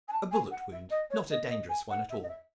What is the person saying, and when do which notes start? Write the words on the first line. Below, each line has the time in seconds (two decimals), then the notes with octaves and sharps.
"A bullet wound--not a dangerous one at all."
0.08 G#5
0.12 A5
0.31 G#5
0.51 F#5
0.71 E5
0.90 D#5
1.10 C#5
1.30 D#5
1.49 D#5
1.69 G#5
1.89 F#5
2.09 E5
2.22 D#5
2.28 E5